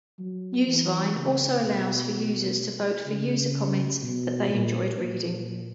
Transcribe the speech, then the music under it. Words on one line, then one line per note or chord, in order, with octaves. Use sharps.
Newsvine also allows for users to vote for user comments that they enjoyed reading.
F#3
E3
C#3
B2
C#3
B2
A#2
A#2